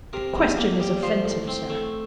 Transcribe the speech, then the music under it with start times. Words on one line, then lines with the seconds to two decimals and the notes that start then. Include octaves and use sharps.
"The question is offensive, sir."
0.13 C3 A#4
0.35 E2
0.58 A#3
0.80 G3
1.03 F3 C5
1.25 A2
1.48 C4
1.70 A3